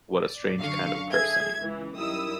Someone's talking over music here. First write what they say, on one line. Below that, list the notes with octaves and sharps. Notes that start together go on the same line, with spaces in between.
What a strange kind of person!
D5
F#2 D3 F5 C#6
G#4 A4 E5 G#6
C#2 E3
F#2 D#3 G3 E4 D#6 E6